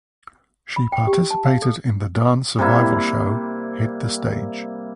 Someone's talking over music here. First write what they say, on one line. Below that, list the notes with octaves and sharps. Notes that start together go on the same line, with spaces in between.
She participated in the dance survival show "Hit the Stage".
B5
G5
G4
A5
F5
A4
C3 G3 A#3 E4